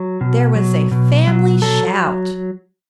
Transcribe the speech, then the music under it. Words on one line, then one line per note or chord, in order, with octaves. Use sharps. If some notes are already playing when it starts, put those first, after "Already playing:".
There was a family shout.
Already playing: F#3
B2
F#3
B2
F#3
F#3 A4